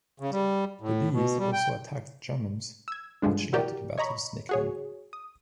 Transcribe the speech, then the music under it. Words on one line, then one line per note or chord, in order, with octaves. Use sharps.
The bees also attacked Germans, which led to the battle’s nickname.
C#3
G3
A2
B2
G3
G5
E6 G#6
G2 D3 F3 G#3 D4
E4 F#4 G4 A#4 D5
C#5 D#5 A#5 B5 C#6
F#4 G#4 C#5
D#6